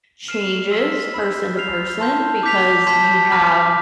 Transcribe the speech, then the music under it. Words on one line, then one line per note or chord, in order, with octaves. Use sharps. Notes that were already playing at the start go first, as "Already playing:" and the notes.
changes person-to-person because you have
F6 C7 E7
C6 E6 B6 E7
B5 E6 G6
F6 C7 F7
A5 C6 G6
D6 G6 B6 F7
A5 C6 G6 B6
B5 D6 F6